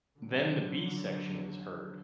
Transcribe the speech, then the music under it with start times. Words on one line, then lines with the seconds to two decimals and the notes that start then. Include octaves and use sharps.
Then the B section is heard.
0.19 D3 F#3